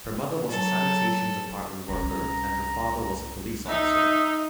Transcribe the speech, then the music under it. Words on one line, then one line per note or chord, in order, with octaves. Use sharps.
Her mother was a sanitation department worker and her father was a police officer.
F#3 A4
C2 C#4 A#5
D#4 E5